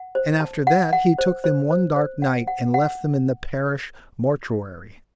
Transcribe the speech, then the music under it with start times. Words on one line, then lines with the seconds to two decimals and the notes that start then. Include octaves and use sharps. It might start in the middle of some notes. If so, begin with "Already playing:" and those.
And, after that, he took them one dark night and left them in the parish mortuary.
Already playing: F#5
0.15 C5
0.40 A5
0.67 F#5
0.93 F#5
1.18 C5
1.44 C5
1.71 C5
1.96 C5
2.22 F#5
2.47 F#5
2.74 F#5